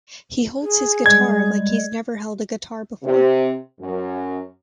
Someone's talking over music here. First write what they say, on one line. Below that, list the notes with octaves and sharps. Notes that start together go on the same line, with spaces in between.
He holds his guitar like he's never held a guitar before.
G#4
G3 G#3 G#6
C3
F#2